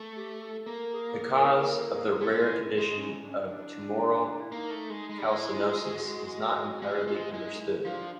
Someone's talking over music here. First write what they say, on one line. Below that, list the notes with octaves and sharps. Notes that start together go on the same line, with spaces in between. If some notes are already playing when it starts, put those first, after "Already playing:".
The cause of the rare condition of tumoral calcinosis is not entirely understood.
Already playing: A3
G4
A4
A#3
G#4
G#4
G#4
A#4
A4
G#4
A3 E4
G#3
G#3
C#4
D4
C#4
D4
D4
E4
A#3 D#4
A3
G#3
G#3
G3
G#3 E4
F4
F#4
G#3 G4
G#3 F4
G#3 E4
D#4
E4
F3 D4